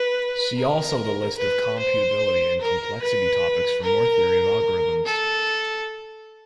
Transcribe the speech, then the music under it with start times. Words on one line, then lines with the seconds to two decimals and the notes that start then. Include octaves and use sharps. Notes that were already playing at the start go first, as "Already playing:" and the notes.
See also the list of computability and complexity topics for more theory of algorithms.
Already playing: B4
0.57 A#4
1.37 B4
1.79 C5
2.61 A#4
3.02 B4
3.83 A#4
5.06 A4